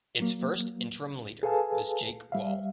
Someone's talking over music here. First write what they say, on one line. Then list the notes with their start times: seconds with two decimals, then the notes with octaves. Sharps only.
Its first interim leader was Jake Wall.
0.20 F#3 A#3
1.43 G#4 A4 B4 F5 G#5 A5
2.32 G3 E5 F5